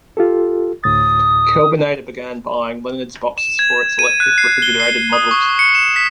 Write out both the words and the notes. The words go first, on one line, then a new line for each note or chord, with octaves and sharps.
Kelvinator began buying Leonard's boxes for its electric refrigerated models.
F4 G4 A4
D2 A2 D#6 A6
E7
G#6
D#7
F#6
C7
G7
C7
D#6
C#6
C#7
E7
B6